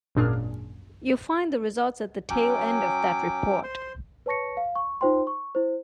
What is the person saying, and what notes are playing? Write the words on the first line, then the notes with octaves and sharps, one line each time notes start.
You'll find the results at the tail end of that report.
G#1 F#2 A#2 D4 G#4 F6
F#3 C#4 G5 D6
C5 C6
B4 C#5 A5 C#6 A#6 C#7
F5
C#6
D#4 F4 C5 G5 C6
C#6
E4 C5